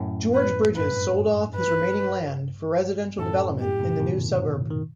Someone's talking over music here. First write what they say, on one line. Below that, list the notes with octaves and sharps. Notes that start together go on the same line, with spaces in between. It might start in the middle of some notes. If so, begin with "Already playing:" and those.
George Bridges sold off his remaining land for residential development in the new suburb.
Already playing: F#2 A2
B4
G2 B4
B4
F#2 A2 A4
A2
G2 G4
A2 C3
B2 D#3
D#3